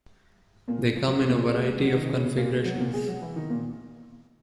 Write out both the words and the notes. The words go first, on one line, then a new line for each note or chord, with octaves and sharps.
They come in a variety of configurations.
A#2 A#3
A#2 A#3
F#3
G#3
A#2 A#3
G#3
G#3
A#3
G#3
F#3
D#3 D#4
C#3 C#4
B2 B3
A#2 A#3
G#3
F#3
A#2 A#3
G#3 G#4
F#3 F#4
E3 E4
D#3 D#4
A#2 A#3